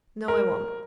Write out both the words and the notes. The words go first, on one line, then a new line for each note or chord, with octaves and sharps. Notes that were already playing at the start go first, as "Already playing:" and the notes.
No, I won't.
A#4